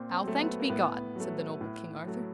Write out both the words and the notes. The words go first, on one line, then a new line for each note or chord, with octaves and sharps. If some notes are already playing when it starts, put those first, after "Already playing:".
NOW thanked be God, said the noble King Arthur.
Already playing: A#2 C4
C4
F#3 A3
B3
A#3
A2 B3
F#3 A3
A2
F#3 A3